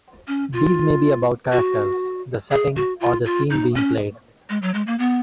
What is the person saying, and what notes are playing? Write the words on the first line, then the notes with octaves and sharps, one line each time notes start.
These may be about characters, the setting, or the scene being played.
C#4
F4
F#4
G#4
F#4
F4
F4
D#4
C#4
G#3
F#3
G#3
A#3
B3